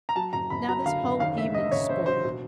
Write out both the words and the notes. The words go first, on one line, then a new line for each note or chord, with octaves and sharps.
Now this whole evening's spoiled.
A#5
F#3 A5
F#1 A#5
F#1 B5
F#3 A#5
D3 F5
F#1
D#2 F5
E1 E5
E1 D#5
C#3 C#5
E1 C5
F#3 C5
B2